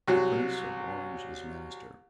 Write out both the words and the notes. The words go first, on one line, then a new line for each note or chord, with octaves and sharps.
The Prince of Orange is master.
C2 F#3 F#4